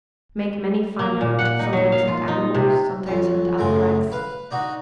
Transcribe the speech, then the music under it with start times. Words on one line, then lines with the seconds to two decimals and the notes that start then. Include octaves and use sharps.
Make many fine hunt, sometimes hunt animals, sometimes hunt other Blacks.
0.99 A#3
1.21 A#2
1.39 F#5
1.59 D#4
1.73 F#3
1.92 F5
2.08 F4
2.28 D#4
2.54 C3
3.06 F2 C#4
3.58 F#2 A2 C#3 G#5 C6
4.12 B4 F5
4.51 D4 D#4 F#4